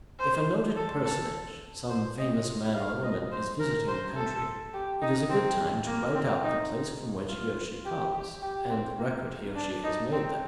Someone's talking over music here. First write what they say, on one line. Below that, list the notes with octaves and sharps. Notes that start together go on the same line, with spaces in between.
If a noted personage, some famous man or woman, is visiting the country, it is a good time to write up the place from which he or she comes and the record he or she has made there.
C5
A4
A4
C5
D#5
F5
D#5
C5
A#4
C5
A4
G4
D#4
C4
A#3
C4
D#4
F4
G4
G4
G4
C4
A#3
D4
D#4
C4